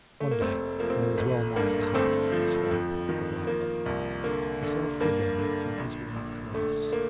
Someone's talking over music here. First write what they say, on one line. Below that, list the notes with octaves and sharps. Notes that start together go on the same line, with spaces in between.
One day when he was well-nigh in the heart of the swamp of Lambeth he saw a figure making his way across.
A3
A#3
F1 A3 C4
F3 A#3
C4
A#3
A1 A3
G2 A#3
D3 A3 C4
F3
F2
D#3
F3 A#3
C2
D3 A#3
D3
G2 A#3
D3
A#1
A#1
D3 A3
A#3